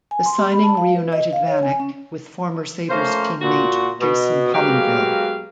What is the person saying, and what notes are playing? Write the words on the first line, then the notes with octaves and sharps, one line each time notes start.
The signing reunited Vanek with former Sabres teammate Jason Pominville.
G#5
C6
G4
B5
A5
F5
B4
D#5
F5
C#5
G#5
C#4
F3 A3 A#3 C#4 C5
A#2 F#4
B2
F#3 G#3 A#3 B3 G4 F5